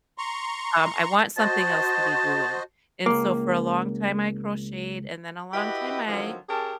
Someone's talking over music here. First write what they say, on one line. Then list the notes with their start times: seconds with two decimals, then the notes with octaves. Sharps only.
um, I want something else to be doing, and so, for a long time I crocheted, and then a long time I
0.18 A#5 C6 C#6
1.37 F#4 C5 D#5 A5
3.06 C#2 A#3
5.54 E4 F#4 G4 B4 D#5 E5
6.08 D3 D#3 F3 F#3 G#3 C4
6.48 C#4 G4 G#4 A#4 A5